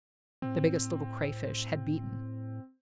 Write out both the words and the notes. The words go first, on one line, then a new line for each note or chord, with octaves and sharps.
The Biggest Little Crayfish had beaten.
A2 C4